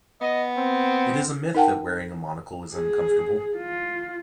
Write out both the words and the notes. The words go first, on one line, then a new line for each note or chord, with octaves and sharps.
It is a myth that wearing a monocle is uncomfortable.
B3 D#5
C4
D#4 A#4 F#5 G5 A5
G#4
F4